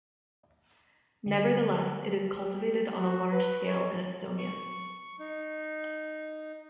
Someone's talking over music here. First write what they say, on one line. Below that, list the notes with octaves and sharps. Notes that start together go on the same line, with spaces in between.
Nevertheless, it is cultivated on a large scale in Estonia.
D3 G3
G4
F#4
B4
C#5
C#6
D#4